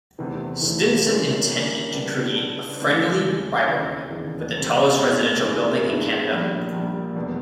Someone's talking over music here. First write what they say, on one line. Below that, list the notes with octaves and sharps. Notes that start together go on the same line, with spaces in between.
Stinson intended to create a friendly rivalry for the tallest residential building in Canada.
E2 C3 E3 A3
E2 C3 E3 A3
D3 G3 A#3 C#4 E4
D3 G3 A#3 C#4 E4
C#2 B2 G3 B3 D4
C#2 B2 G3 B3 D4
D#2 C#3 E3 A3 C#4
D#2 C#3 E3 A3 C#4
E1 D#2 C#3 E3
E1 D#2 C#3 E3
C2 B2 G#3 C4
C2 B2 G#3 C4
G2 D#3 G#3 B3 E4
G2 D#3 G#3 B3 E4
A#1 A#2 G3
A#1 A#2 G3
F1 E2 B2